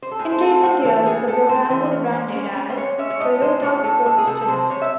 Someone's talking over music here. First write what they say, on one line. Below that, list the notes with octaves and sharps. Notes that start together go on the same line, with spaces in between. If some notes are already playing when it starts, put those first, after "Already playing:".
In recent years the program was branded as "Toyota Sports Tonight".
C5
A4
A2 G#4
C5
C4 A4
A2 C5
E3 A4
A2 G#4
A2 A4
G#3 C5
E3
C#4
G#3
C#4
C#4
C5
G#3 C#5
C#4 E5
C#5
A2 D#5
G#3 C5
A2 C#5
A2 A4
G#3 A4
G#4
C3 A4
A4
C3 C5
C3 C#5
E5